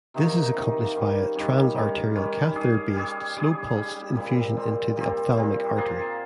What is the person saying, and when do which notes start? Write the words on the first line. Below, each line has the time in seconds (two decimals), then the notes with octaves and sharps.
This is accomplished via transarterial catheter based slow pulsed infusion into the ophthalmic artery.
0.14 C3 D#3 A#3 D#4
0.54 C3 D#3 A#3 D#4
0.95 D#3 G3 C#4
1.35 D#3 G3 C#4
1.75 D#3 G3 C#4
2.16 D#3 G3 C#4
2.55 G3 C#4 G#4
2.96 G3 C#4 G#4
3.37 G3 C#4 G#4
3.76 G3 C#4 G#4
4.16 A#2 G3 C4
4.57 A#2 G3 C4
4.96 A#2 G3 C4
5.37 A#2 G3 C4
5.77 A#3 F4 G#4 C5